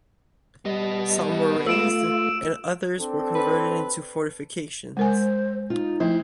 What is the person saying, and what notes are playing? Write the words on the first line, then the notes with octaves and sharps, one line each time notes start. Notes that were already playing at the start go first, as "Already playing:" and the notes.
Some were razed, and others were converted into fortifications.
G3 B3 D#5
A3 F4 E6 D7 E7
C4 D4 A4
B4
G#3 A#4 C5 G#5
D#4 F4
F3 A3 E4 C5